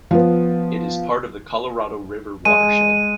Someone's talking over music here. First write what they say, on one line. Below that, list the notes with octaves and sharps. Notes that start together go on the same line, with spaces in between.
It is part of the Colorado River watershed.
F3 B3
G#3 D#7